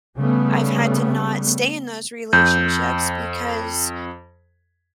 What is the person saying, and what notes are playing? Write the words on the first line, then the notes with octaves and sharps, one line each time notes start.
I've had to not stay in those relationships, because
C#3 G3 A3 B3
F2 G6